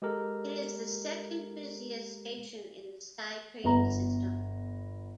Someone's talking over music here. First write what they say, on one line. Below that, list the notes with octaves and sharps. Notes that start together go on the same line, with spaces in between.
It is the second-busiest station in the SkyTrain system.
G#3 G4 A4 A#4
G1 B3 A#5